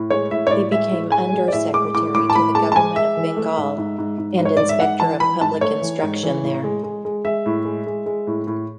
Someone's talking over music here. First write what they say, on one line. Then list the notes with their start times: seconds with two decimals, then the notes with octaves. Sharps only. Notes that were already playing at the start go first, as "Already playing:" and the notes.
He became under-secretary to the government of Bengal, and inspector of public instruction there.
Already playing: A2
0.10 G#3 C#5
0.31 A2 E5
0.47 C#5
0.51 A2 D5
0.72 G#3 E5
0.91 A2
1.12 G#3 G#5
1.33 G#3
1.48 D5
1.53 A2 E5
1.73 G#3 D6
1.94 A2 D6
2.14 A2 D6
2.30 A5
2.35 A2 B5
2.55 G#3 A5
2.72 A5
2.75 G#3 G#5
2.96 G#3 E5
3.17 E3
3.37 A3
3.57 G#2
3.78 G#2
3.98 G#2
4.18 G#2
4.38 G#2
4.45 C#5
4.57 G#2 D5
4.69 E5
4.80 G#2 F#5
5.00 E3 A5
5.20 E3 B5
5.41 G#2 A5
5.61 A3 C#5
5.81 E3
6.02 G#2
6.23 E3
6.43 A2
6.64 G#3
6.83 G#3
7.05 G#3
7.25 G#3 E5
7.46 A2
7.65 G#3
7.86 G#3
8.06 G#3
8.27 A2
8.47 A2